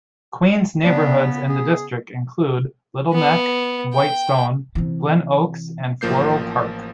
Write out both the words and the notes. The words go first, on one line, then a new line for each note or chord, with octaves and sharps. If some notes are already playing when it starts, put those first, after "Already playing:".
Queens neighborhoods in the district include Little Neck, Whitestone, Glen Oaks, and Floral Park.
C#3 B3 D4
G#4
B3
G5
C3 E3
A1 F3 A#3 G6 C7